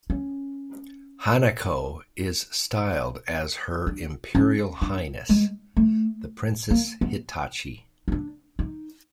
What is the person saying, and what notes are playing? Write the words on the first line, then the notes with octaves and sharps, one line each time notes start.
Hanako is styled as "Her Imperial Highness" The Princess Hitachi.
C#4
D4
C#4
D4
G#3
A3
A#3
B3
D#4
D4
D#4